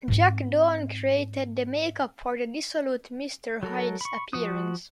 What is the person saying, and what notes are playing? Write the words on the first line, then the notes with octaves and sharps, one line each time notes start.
Jack Dawn created the make-up for the dissolute Mr. Hyde's appearance.
G#2 C4
F#3 A4 A#4
B5 C#6
F3 F#4 D#6